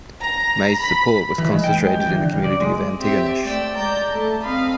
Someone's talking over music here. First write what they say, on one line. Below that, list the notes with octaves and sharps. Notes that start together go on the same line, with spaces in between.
May's support was concentrated in the community of Antigonish.
A#5
B5
E3
G#3
G5
G#3
G4
E3
D3
C#3
D5
G#3
C4 G4 E5
A3 D5 G5 E6
G#3 D5 A#5 G6
A3 A4 A5
C4 D#5 F5 B5